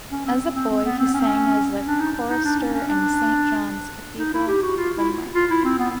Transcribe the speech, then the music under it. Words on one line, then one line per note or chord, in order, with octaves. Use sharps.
As a boy, he sang as a chorister in Saint John's Cathedral, Limerick.
C#4
C4
C4
C4
C4
B3
C4
C#4
C4
C#4
D4
D#4
D#4
D4
C#4
C#4
D4
D#4
E4
G4
F#4
F4
E4
F4
E4
C4
B3